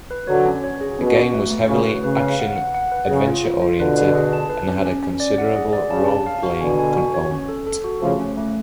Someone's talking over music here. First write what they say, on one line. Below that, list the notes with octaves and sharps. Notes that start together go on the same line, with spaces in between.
The game was heavily action-adventure oriented and had a considerable role playing component.
B4
D3 F#3 C#5
C#4
C#5
G#4
B2 C#4
F#4
A3
A3
C#3 F#4
B4
C#3 B4
F5
F#5
F#5
F#5
B4
C#3 G#4
F4
F4
F4
B2 D3 B4
B4
G#4
A5
B4
C#4
C#4
C#4
D5
F#5
G#4
D5
C#3 A5
A5
F5
F#4
B2 D3 G#5
G#5
F#4
C#5
C#4
A4
A4
F#4
C#3 F3 A3
C#4
A3